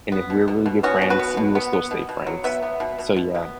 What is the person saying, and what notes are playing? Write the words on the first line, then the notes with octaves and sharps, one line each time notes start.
And if we're really good friends, we will still stay friends. So, yeah,
B3
B2
B2
B2
B3 C#4 F#4
B2
F#4 B4
B3
B2
B3
B3
B2
B2
F#3
B3 B4 E5
B3
B2
B2
B2
B3